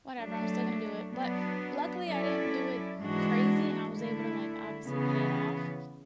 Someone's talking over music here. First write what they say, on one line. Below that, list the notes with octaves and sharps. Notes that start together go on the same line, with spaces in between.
whatever, I'm still gonna do it." But luckily, I didn't do it crazy, and I was able to, like, obviously pay it off,
F#3 A3 D4
F#3 B3 D4
F#3 C#4 E4 A4 D5
G#2 E3 G#3 D4 F#4
D3 A3 E4
C#3 E3 B3